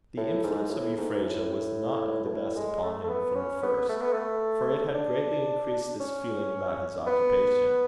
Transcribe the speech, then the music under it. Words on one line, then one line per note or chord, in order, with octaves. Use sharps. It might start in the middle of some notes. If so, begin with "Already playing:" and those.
The influence of Euphrasia was not of the best upon him from the first; for it had greatly increased this feeling about his occupation.
A2
G#2
A2
G#2
A2
B2
A2
G#3
A3
A3
B3
C#4
B3
A3
B3
A3
D4
C#4
B3